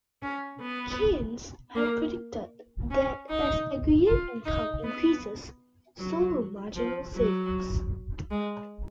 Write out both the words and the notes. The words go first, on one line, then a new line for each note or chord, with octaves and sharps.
Keynes had predicted that as aggregate income increases, so will marginal savings.
C#4
B3
A#3
C#4
D#4
F4
D#4
B3
F#3
F3
F#3
G#3